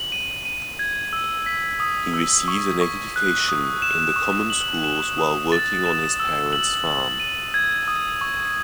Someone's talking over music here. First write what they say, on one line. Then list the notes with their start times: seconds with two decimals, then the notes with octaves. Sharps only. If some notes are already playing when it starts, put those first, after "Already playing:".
He received an education in the common schools while working on his parent's farm.
Already playing: F#7
0.12 D#7
0.45 D#7
0.79 G#6
1.13 E6
1.46 B6
1.80 D#6
2.14 E6
2.48 C#6
2.81 C#6
3.16 F#6
3.49 D#6
3.82 E7
4.16 C#6
4.50 F#7
4.84 E7
5.18 D#6
5.52 A6
5.86 E7
6.20 E6
6.53 F#7
6.87 F#7
7.20 D#7
7.54 G#6
7.88 D#6
8.21 C#6